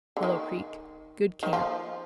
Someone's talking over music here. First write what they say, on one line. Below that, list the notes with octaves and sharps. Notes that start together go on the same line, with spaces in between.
Willow Creek.--Good camp.
D3
D#3
D#3
F3